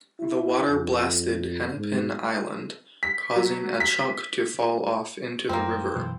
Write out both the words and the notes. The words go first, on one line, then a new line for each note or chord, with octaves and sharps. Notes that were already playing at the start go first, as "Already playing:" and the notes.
The water blasted Hennepin Island, causing a chunk to fall off into the river.
E4
F2
G#2
B6
F#3
B6
F#2 A#3 C4 F6
F#2 B2 E3